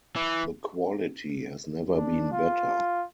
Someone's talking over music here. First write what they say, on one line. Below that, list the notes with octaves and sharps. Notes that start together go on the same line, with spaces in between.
The quality has never been better.
E3
D4
F4